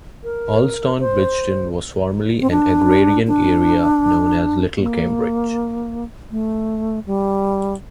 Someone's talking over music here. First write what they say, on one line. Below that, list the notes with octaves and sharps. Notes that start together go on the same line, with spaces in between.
Allston-Brighton was formerly an agrarian area known as Little Cambridge.
A#4
C5
C4
D4
D4
A#3
A3
G3